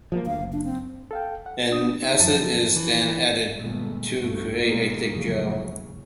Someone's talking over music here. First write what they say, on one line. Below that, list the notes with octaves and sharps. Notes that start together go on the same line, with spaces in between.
An acid is then added to create a thick gel.
F3 G#3 A#3
D2 F5
F#1
D4
C4
A4 F5 G5
F#5
D4 D#6
C4 D#4
F#2 F3 A5 A6
E3
G1 A#2 G#3 A3 B3
B1 G2 A3
B2 E3 G#3 A#3 B3
F1 A#1 E2 G#2 C#3 F#3